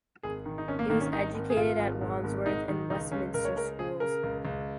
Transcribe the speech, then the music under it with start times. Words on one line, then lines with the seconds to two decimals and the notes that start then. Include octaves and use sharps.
He was educated at Wandsworth and Westminster Schools.
0.23 G#1 G#4
0.46 D#3
0.58 D#4
0.68 G#1 C#4
0.79 A#3
0.90 D#3 A#3
1.01 C#4
1.12 G#1 D#4
1.34 G#1
1.50 G#4
1.56 G#2 F4
1.79 G#1
2.01 G#2
2.24 G#1
2.46 G#2 D#4
2.68 D#3
2.90 C#2 D#4
3.12 C#2 C#4
3.34 C#2 A#4
3.45 C#5
3.56 C#3 A#4
3.79 C#3 G#4
4.00 C#3 A#4
4.24 C#2
4.45 C#2